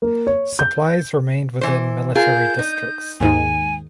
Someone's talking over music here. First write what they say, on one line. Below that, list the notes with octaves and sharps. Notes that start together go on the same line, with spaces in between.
Supplies remained within military districts.
A#3
C#5
G6
E3 C5
F4 G#4 A#4 G6
D#4
D#2 G#2 D#3 G#5